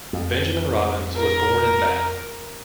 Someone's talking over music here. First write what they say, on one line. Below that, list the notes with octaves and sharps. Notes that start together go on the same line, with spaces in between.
Benjamin Robins was born in Bath.
F2
A#4